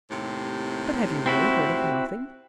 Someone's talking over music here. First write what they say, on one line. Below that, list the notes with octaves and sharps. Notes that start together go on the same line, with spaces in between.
"But have you really heard of nothing?"
D#2 A2 C3
C4 E4 F#4